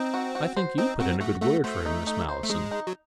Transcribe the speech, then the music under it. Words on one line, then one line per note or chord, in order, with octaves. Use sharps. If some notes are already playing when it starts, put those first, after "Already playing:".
"I think you put in a good word for him, Miss Malleson."
Already playing: C4 D#4
F#4
F#4
C5
C4 D#4
C4 F#4
A3 F#4
A3 F#4
A3 C5
D#4
D#4
C5
A3
G#3 D#4
D#4
F#3